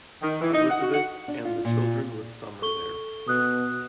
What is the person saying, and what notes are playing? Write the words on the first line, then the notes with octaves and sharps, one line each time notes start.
Elizabeth and the children would summer there.
D#3
E3
D#4
F#5
F#4
F#5
D4
F4
A#2
A4 C#6 G7
B2 D#6 F#6